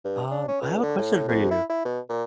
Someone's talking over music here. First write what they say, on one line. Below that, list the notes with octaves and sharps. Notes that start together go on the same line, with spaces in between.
Um, I have a question for you.
G2
D4
C#4
C#2
D3
A2
F2
E4
E4
B2
A#2